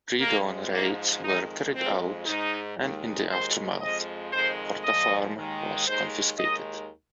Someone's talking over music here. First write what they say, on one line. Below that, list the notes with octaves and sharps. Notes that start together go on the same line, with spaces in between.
Pre-dawn raids were carried out and, in the aftermath, Porta Farm was confiscated.
F2 F3 G#3 A#3
G#2 F3 G#3 A#3
F2 D#3 G#3 D#4
F2 F3 G#3 C4
G#2 G#3 D#4
D#2 D#3 G#3
D#2 D#3 G#3 C5
F2 F3 G#3 D#5
F2 D#3 G#3 C5
A#2 F3 G#3 D#5
D#2 D#3 G#3
D#2 D#3 G#3 C5
D#2 D#3 G#3 D#5